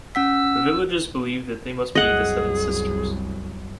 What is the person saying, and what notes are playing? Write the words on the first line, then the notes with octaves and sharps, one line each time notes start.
The villages believed that they must be the seven sisters.
C#4 F#5 E6 B6
C2 F#2 G#4 D#5 F#5